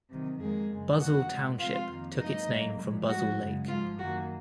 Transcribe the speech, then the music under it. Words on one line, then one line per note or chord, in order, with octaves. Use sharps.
Buzzle Township took its name from Buzzle Lake.
C3 D#3 F#3
F2 D#3 G#3 A#3 G#4
F#2 C#3 G#3
F2 D#3 A#3 F#4 F#5
A#2 G#3
C3 F3 G#3 F4 F5
F2 D#3 A#3
G#2 F#3 A#3 D#4 D#5
G#2 F#3 A#3
A#2 F3 G#3
G#2 F3 G#3 F#4
F#2 C#3 G#3
G#2 F3 G#3 F4
F#2 D#3 A#3 F#4